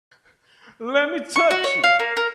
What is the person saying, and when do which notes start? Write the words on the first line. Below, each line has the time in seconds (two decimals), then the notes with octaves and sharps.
Let me touch you!
1.36 C#6
1.51 F#4
1.64 C#5
1.84 F5
2.00 A#3
2.17 A#4